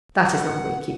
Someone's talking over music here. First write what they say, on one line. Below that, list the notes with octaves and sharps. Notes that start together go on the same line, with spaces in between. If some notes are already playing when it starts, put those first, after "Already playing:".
That is not wicked.
F#5